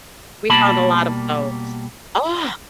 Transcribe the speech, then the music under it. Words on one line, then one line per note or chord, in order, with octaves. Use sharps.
We found a lot of those. Ah!
B2 G3 A#3 A5 B5